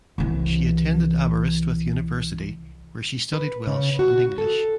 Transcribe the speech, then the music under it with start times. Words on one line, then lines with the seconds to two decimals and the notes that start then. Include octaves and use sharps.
She attended Aberystwyth University where she studied Welsh and English.
0.18 C2 E3
3.33 B4
3.67 C#3
3.99 F#4
4.38 A4